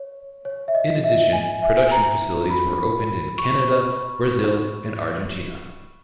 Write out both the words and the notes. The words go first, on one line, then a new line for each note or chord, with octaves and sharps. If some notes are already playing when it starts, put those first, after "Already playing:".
In addition, production facilities were opened in Canada, Brazil and Argentina.
Already playing: C#5
C#5
E5
D#5
E5
G#5
E5
G#5
A#5
B5
C#6